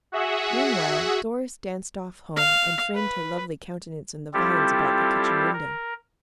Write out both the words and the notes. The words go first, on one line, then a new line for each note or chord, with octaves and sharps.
Meanwhile Doris danced off home, and framed her lovely countenance in the vines about the kitchen window.
F#4 G#4 E5 F#5
F5
B4
G3 C4 E4 F4 G4 A4
A#4